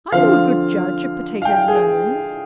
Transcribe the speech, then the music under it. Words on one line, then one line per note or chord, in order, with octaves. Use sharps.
Are you a good judge of potatoes and onions?
D3 F3 C4 F5
F5
G5
G#4